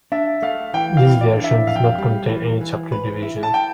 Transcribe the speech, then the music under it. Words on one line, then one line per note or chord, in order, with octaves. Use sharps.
This version did not contain any chapter divisions.
D4 E5
A3 F5
E3 G5
F5
E3
D5
D4
E5
F2 F5
G5
F5
G3
E3
E3
B4
E4
A5
G5